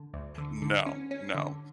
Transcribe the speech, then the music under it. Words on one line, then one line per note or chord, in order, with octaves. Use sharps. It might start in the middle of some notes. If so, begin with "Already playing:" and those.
No, no,
Already playing: D3
D2
D3
D3
C#4
C#4
D3